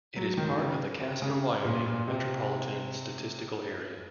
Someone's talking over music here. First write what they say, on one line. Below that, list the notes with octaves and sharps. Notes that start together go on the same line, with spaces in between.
It is part of the Casper, Wyoming Metropolitan Statistical Area.
F#3
D#3
C#3
C3
C#3
A#2
A#2
C3